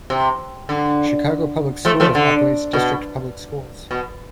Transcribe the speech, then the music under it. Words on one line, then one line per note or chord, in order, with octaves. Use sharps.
Chicago Public Schools operates district public schools.
C3
D3
F3 A3
F3 A3
D3
B2
B2